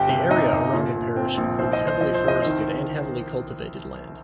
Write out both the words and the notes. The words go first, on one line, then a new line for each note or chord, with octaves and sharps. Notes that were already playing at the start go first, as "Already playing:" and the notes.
The area around the parish includes heavily forested and heavily cultivated land.
Already playing: G1 G4 G5
C3
C3 D#4 D#5
G1
A#2
A#2
C4
A#1
C2 C5
D#5
C2
C5
F3 D#5
C5
C2 D#5
D#3 C5